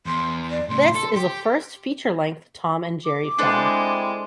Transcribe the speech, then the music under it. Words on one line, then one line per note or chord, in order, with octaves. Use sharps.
This is the first feature-length Tom and Jerry film.
E2 C6
D5
A2 C#3 C6
A4
G4
D6
G#3 C4 D4 E4 A4 C5